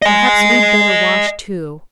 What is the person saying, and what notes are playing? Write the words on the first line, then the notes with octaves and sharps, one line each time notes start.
Perhaps we'd better wash too.
D#5 G#5